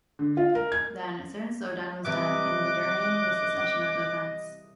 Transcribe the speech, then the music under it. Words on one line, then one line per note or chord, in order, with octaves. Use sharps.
Then, a certain slowdown was done in the during the succession of events.
D3
F4
A#4
G#6
C3 E3 G3 D#5 D6 F#6